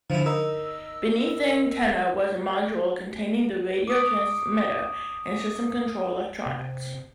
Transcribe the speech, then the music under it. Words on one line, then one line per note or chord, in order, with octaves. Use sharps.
Beneath the antenna was a module containing the radio transmitter and system control electronics.
D3 F3 E4
D#4 A#4 D#5 E6
D6 D#6 D7
C3